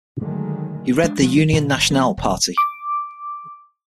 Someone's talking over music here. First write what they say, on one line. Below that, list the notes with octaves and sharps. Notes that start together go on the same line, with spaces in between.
He led the Union Nationale party.
D3 D#3 F#3 G#3 A3
G#3 D4
F3 G#3
A#2 D3 E3 F3
F#1
F3 B3
E1
D6